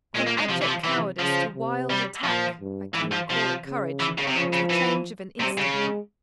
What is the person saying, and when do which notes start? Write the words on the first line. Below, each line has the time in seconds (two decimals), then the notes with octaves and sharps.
From abject cowardice to wild attack--I cannot call it courage--was the change of an instant.
0.15 A#2 G#3
0.27 A#3
0.37 G#3
0.49 C3 F3
0.62 E3
0.67 F3
0.84 C3 E3
1.19 C#3 F3
1.55 C3
1.90 G3
2.24 A#2 F3
2.60 G2
2.94 G#2 E3
3.12 F3
3.29 C3 F3
3.66 C#3
4.00 E3
4.18 C#3
4.27 C3
4.35 C#3 F3
4.53 C#3
4.70 E3
5.40 C3 G3
5.58 C#3
5.75 G#3